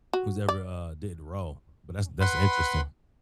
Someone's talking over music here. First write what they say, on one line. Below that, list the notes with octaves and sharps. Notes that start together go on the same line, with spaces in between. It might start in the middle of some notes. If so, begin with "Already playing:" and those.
who's ever, uh, did row, but that's that's interesting,
F#4
D5
B4 F#5 B5 C6